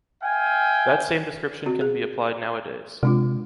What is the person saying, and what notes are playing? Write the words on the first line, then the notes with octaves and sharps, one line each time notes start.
That same description can be applied nowadays.
E5 F5 G5 G#5
C4 F#4
G#4
C3 G#3 D4 F4